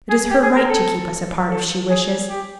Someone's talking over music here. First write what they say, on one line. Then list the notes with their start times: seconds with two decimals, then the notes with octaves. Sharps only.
It is her right to keep us apart, if she wishes.
0.10 G#4
0.30 G4
0.43 G#4
0.56 A#4
0.69 A4
1.50 A4
1.89 G#4
2.29 G4